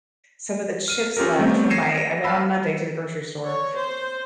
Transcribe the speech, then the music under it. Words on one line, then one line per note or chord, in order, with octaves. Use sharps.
some of the chips left from my" I went on Monday to the grocery store,
F6 D#7
C#4 F4 G4 A4 A#4
G3 A3 B3 C4
G#6 A#6 C7 C#7 D#7 E7
A#6
F5 F#5 A5 B5 E6
C#5
C5